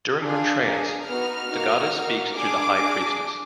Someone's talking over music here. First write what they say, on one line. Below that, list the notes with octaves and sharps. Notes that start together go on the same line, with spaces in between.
During her trance, the Goddess speaks through the High Priestess.
D4 F4 G#4
A#3 D4 G#4
B3 D#4 F#4 F6
A#3 D#4 F#4
A#3 D#4 F#4
D4 G#4 D6
D4 G#4